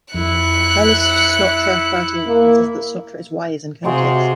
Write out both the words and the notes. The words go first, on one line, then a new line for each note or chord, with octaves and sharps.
High lists Snotra thirteenth, and says that Snotra is wise and courteous.
F2 E4 F#6 C#7
A#3
C3 F#3 G#3 F4